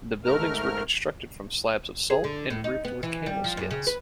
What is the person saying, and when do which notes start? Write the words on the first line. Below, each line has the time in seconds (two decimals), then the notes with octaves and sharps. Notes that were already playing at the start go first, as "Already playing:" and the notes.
The buildings were constructed from slabs of salt and roofed with camel skins.
0.24 G#2 A3 A#4 F6
2.10 G#4
2.24 D3
2.50 A2
2.64 D#4
2.85 B3
3.03 E3
3.26 G3
3.44 F3
3.57 F#2
3.71 C#3
3.87 B4